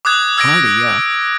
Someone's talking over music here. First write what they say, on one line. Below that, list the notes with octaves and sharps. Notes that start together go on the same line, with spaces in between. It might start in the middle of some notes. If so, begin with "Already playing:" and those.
Hardy, yeah.
D6 D#6 F#6 G#6
E6 G#6 A#6 D7